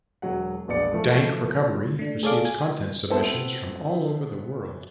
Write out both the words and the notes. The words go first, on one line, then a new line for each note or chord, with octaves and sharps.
Dank Recovery receives content submissions from all over the world.
E1 F#3 F#5
E1 A#1 B3 D5 C#7
E3 F3 A3
A3 D4
G#4 A4 C#5 D5 F5 D6
G#5
B3 C4 E4 A4 B4 C5